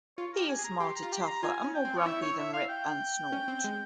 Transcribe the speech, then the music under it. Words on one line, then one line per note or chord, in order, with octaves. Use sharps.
He is smarter, tougher, and more grumpy than Rip and Snort.
F4 C#5
A#4
G4
G#5
G#4
A#5
G4 C6
A#5
F4
G4
C6
A#5
F4 G#5
C#4
G5
C4
C#5
E4 E5
C#5
E5
F5
G5
C#4
C4
G#3